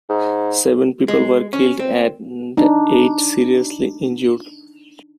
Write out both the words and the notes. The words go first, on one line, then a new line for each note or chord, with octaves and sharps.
Seven people were killed and eight seriously injured.
G#2
G#3
C#4
C4
D4 D#4